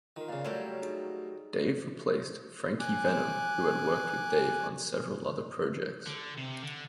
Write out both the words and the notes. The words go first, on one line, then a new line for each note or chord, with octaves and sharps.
Dave replaced Frankie Venom who had worked with Dave on several other projects.
D#3 F4 A#4
A#2 C#3 D5 F5
F#3 G3 A3 A#3 C#5
D#4 G#4
G#5 D6 F#6
D3
C3
D3